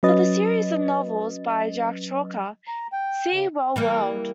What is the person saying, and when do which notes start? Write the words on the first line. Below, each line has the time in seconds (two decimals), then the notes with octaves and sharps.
For the series of novels by Jack Chalker see Well World.
0.03 F#3 C#4 B4 D#5 A6
2.68 A#5
2.92 G5
3.32 C#3
3.76 E3 G3 A#3